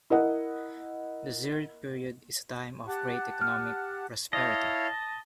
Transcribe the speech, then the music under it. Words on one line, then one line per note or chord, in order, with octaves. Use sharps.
The Zirid period is a time of great economic prosperity.
E4 A#4 D#5 F#5
G4 F#5 A5
F6
E4 C#5 D#5 F5 A5